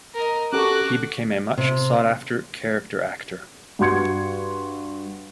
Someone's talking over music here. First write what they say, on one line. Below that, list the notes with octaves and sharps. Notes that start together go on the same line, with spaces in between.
He became a much sought after character actor.
A#4 D#5
C#4 F#4 G4 A4 C#6 D6 F#6
C3
G2 F#4 F#5 C6 G#6 C#7